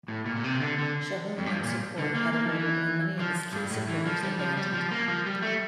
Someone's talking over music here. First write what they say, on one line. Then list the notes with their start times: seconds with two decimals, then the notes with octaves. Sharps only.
Shahumyan's support had eroded and many of his key supporters abandoned him.
0.08 A2
0.26 A#2
0.36 A#2
0.44 C3
0.60 D3
0.78 D3
1.38 F2
1.46 G2
1.63 A#2
1.98 D3
2.15 A#3
2.33 A#3
2.45 F3
2.49 E3
3.19 F3
3.53 G2
3.70 A2
3.88 E3
4.06 F3
4.23 G3
4.39 F3
4.57 G3
4.74 F3
4.91 A#3
5.08 F3
5.26 G3
5.42 A3